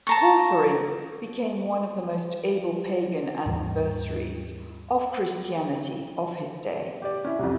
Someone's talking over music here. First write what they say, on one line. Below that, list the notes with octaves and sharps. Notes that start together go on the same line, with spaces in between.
Porphyry became one of the most able pagan adversaries of Christianity of his day.
A5 A#5 C#6
D#2 G#2 E3 G3
G4 D5
C#4 E4
C2 F2